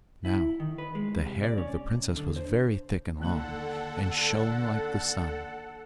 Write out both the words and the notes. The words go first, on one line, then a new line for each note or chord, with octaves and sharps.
Now the hair of the princess was very thick and long, and shone like the sun.
E4
D#3
B4
G#3
C3
D5
C#4
B1
D3
C5
D#2 D3 A4 F#5 F#6 F#7